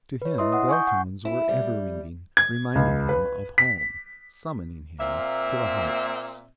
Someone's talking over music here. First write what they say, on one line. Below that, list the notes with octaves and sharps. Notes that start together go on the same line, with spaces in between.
To him bell tones were ever ringing, reminding him of home, summoning him to the heights.
B4 C#5
E4 D#5 E5 C6 D#6
F#5 D#6
G#5 C#6 G6
F#5
E4
G3
G#6
C#2
B4
B6
A#2 A#3 C4 E5